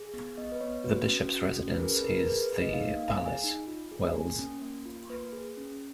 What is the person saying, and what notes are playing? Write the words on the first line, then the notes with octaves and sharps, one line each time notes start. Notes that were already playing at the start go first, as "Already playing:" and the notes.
The Bishop's residence is The Palace, Wells.
Already playing: G#4
B3
B3 D#5
B4
B3 C#5
F#4 B4
C#4
F#4
C#4
B4
G#4 A#4
B4
G#4 A#4
B4
G#4 B4
B4
G#4
D#5
D#4 F5
A#3 F5
G#4 G#5
D#4
F4
G#4
A#3 G#5
C#4
A#3
F4
A#3 B4
G#4
C#4